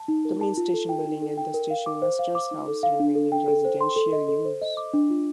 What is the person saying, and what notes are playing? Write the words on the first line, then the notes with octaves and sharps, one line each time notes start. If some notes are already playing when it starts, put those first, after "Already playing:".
The main station building and the station master's house remain in residential use.
Already playing: A5
D#4
A#4
A5
F4
A4
G5
D#4
A4
G5
A#4
F5
D6
C5
F5
D6
D#4
A4
F5
D4
A4
G5
A4
C5
C6
A4
D#5
A4
C5
D#5
D6
D4
F4